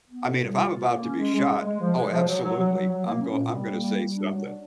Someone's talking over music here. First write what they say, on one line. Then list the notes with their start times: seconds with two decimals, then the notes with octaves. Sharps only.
I mean, if I'm about to be shot, oh, absolutely, I'm go I'm gonna say something.
0.09 B3
0.24 A2
0.40 G3
0.56 F4
0.71 F4
0.87 A#3
1.03 C#4
1.18 G#3
1.33 G#3
1.49 G#3
1.64 G#3
1.80 F3
1.95 G#3
2.11 F3
2.27 F#3
2.43 F#3
2.58 F#3
2.73 F#3
2.89 F#3
3.05 A#3
3.21 C#4
3.36 A#2
3.52 G3
3.68 A#3
3.82 G3
3.99 G3
4.14 D4
4.29 F#3
4.45 D4